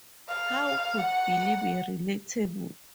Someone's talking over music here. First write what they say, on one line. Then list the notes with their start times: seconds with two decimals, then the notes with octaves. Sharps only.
How could Billy be relatable?
0.28 F5
0.98 F#5